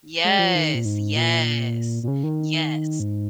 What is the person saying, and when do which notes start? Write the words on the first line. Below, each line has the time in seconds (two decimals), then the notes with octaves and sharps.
Yes, yes, yes.
0.24 G#3
0.39 F3
0.55 D#3
0.75 A#2
0.85 G#2
1.16 A#2
2.03 A#2
2.08 C#3
2.23 D#3
3.00 G#2